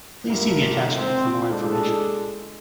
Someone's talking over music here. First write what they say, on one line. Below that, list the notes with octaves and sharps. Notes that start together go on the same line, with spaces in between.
Please see the attachment for more information.
G2 A#2 D3 A#3 E4 A#4
C4
G#3 D4 A4